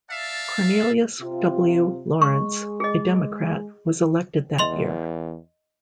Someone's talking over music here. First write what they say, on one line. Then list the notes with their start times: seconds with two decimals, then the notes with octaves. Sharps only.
Cornelius W. Lawrence, a Democrat, was elected that year.
0.11 D5 E5 F5 A5
1.21 C3 F4
2.22 G#3 C#6
2.80 G#4 D#5
4.58 E2 D#5 C6 F7